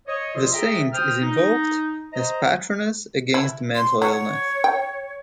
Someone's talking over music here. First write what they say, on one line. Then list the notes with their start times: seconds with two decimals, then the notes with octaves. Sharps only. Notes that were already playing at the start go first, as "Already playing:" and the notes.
The saint is invoked as patroness against mental illness.
0.07 C#5 D#5
0.34 A#2 F3 F4 A4 D#5 C6
0.52 G#4 A4 E5 G5 A#5
0.92 C5 G5 D#6 F6
1.21 D#4
2.13 C5 D#5 A#5
3.34 E4
3.75 C6
4.02 F#3 C#5
4.64 G5